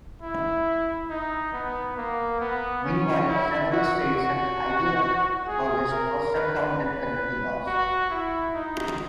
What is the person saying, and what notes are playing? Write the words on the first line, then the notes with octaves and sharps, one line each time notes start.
Meanwhile, several states have either abolished or struck down death penalty laws.
E4
D#4
B3
A#3
B3
C#4
E4
F#4
F#4
G#4
A#4
B4
B4
F#4
E4
D#4